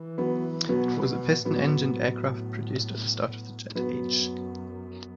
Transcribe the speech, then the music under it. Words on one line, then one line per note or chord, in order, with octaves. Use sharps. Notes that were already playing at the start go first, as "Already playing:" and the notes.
It was a piston engined aircraft produced at the start of the jet age.
Already playing: E3
F#3 B3
B2 F#3 B3
A2 F#3 B3
F#2 F#3 B3